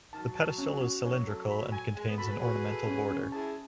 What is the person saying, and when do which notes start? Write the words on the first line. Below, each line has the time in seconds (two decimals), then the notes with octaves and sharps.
The pedestal is cylindrical and contains an ornamental border.
0.13 D#3 F#3 A5
0.35 A5
0.58 C#4
0.81 F#4
1.04 D#3 F#3 C#5
1.27 A4
1.49 B5
1.72 G#5
1.95 G#3 G#5
2.07 B3
2.18 F#4 A4 B5
2.30 G#4 B4
2.41 F#4 G#4 B4
2.65 A4
2.86 C#4
3.09 C#4
3.32 E4 G#4 A5